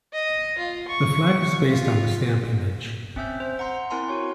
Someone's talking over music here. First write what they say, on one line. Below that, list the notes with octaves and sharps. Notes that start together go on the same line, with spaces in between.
The flag is based on the stamp image.
D#5
F4
C#6
F4
C4 C#4 E5 E6 G6
C5
F#5 A#5 C6
C4 E4 A#4 G#5 A#5 C6
F#4 C#5 C#6